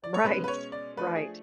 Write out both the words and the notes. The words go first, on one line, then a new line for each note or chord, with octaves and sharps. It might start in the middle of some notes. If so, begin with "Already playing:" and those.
Right. Right.
D5
C#5
B2 G#3 C#4 B4
B4
C#5
D5
F3 A3 D4 B4
G#4